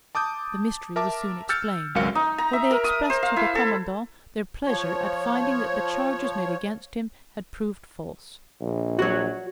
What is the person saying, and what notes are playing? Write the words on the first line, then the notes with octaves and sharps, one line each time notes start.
The mystery was soon explained; for they expressed to the commandant their pleasure at finding that the charges made against him had proved false.
A5 D6 D#6 G6
A#4 E5 A5 D6
E6 F6 G6 A6 C#7
G#1 C#2 F#3 A#4 F5 C#7
D#4
A#5
E5
A#4
D#6
C5
F5
E4
A4
F3 C#5
A#1
F#4 C#5